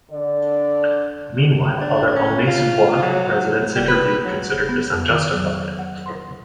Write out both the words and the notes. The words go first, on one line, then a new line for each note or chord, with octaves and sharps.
Meanwhile, other Aulnay-sous-Bois residents interviewed considered this unjustified.
D3 D5
D4
C#4
F4
F#3
G3
B4
F#3
B3
F2
D#3
F#3
F#5
C6